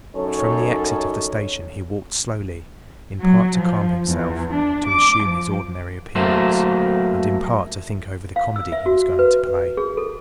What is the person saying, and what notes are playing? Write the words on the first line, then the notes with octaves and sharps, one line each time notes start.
But from the exit of the station he walked slowly, in part to calm himself, to assume his ordinary appearance, and in part to think over the comedy he was going to play.
F#2 D#4 A4 C#5
F#3
F3
E2
D4
D6
F3
F#3 A3 A#3 C5
F5
E6
E5
F#4
B4
G#4
A4